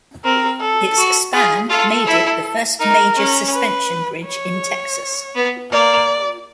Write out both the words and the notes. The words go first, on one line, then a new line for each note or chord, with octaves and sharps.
Its span made it the first major suspension bridge in Texas.
C4 A#4
A4
F#4
F4 G#4
F4 A4
E4
D#4 A#4
C#4
B4
C#5
B3
A#3 D5